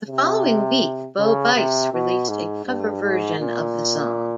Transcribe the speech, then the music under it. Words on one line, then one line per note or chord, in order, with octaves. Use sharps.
The following week, Bo Bice released a cover version of the song.
C3
C#3
C3
B2
G#2
G2
G#2
A#2